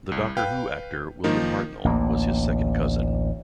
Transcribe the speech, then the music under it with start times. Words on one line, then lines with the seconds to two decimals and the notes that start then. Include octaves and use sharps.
The Doctor Who actor William Hartnell was his second cousin.
0.12 C2
0.37 B4 F5 G5
1.24 D#3 F3 A#3 D#4
1.84 A1 D2 A#3